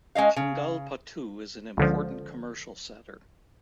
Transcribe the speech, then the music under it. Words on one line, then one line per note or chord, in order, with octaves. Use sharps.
Chengalpattu is an important commercial center.
G#3 C#4 D#5 F5
C#3
C#2 D3 F3